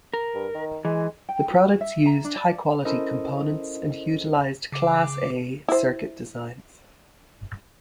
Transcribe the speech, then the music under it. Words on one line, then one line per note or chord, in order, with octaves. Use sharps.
The products used high-quality components and utilized Class-A circuit designs.
A#4
G2
D#3
E3 G#3
G5
F#4
E5
A#5
D4
D5
C#4 E4 A4 A#4 C5 D#5
C#3 D6
E4 C5